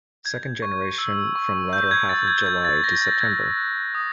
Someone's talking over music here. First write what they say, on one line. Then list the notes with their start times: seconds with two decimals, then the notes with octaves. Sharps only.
Second generation from latter half of July to September.
0.25 G6 G#6
0.62 C#6
0.98 E6
1.36 C#6
1.73 G6
1.91 G#6
2.09 E6 A6
2.28 G#6
2.46 E6 G#6
2.65 A6
2.84 C#6 A#6
3.02 A6
3.20 F#6 G#6
3.57 F#6
3.95 D#6